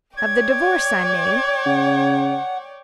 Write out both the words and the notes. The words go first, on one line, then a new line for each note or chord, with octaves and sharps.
"Of the divorce, I mean?"
C#5 D5 G5 G#6
C#3 F#5